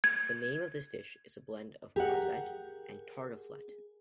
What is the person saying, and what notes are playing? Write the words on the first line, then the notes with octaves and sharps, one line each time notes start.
The name of this dish is a blend of "crozet" and "tartiflette".
G#6
G4 G#4 A#4 F#5